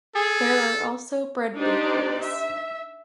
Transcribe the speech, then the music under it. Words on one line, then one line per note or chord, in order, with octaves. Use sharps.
There are also bread bakeries.
G#4 A4
D4 D#4 G4 C5 D5
E5